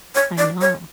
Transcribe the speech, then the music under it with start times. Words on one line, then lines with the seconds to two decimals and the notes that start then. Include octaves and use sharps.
I know.
0.15 C#5
0.38 D5
0.61 C#5